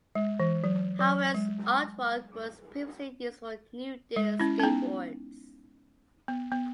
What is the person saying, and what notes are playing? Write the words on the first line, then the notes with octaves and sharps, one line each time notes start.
Howell's artwork was previously used for New Deal Skateboards.
G#3
E3
F#3
F#3
G#3
G#3
C#4 E4
C#4
B3 D#4
B3
B3